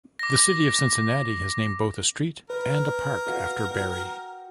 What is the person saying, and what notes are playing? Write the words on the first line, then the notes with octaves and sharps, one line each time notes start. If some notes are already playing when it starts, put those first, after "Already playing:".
The city of Cincinnati has named both a street and a park after Berry.
D6 A#6
A#4 B4
F#4 F5 D#6
F#4 G5